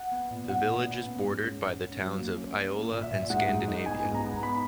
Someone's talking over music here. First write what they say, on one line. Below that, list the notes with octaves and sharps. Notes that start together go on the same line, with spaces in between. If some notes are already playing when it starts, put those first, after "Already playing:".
The village is bordered by the towns of Iola and Scandinavia.
Already playing: F#5
B3
A#2
D#4 F#5
A#2
B3
C#4
G#2
C#4
C#4
C#4
F#3
A#3
C#4
C#4
A#3
A#2
E5
A#2
G#2 F#5
G#2
D#4
B3 G#5
G#2
A#5
B3
D#4 B5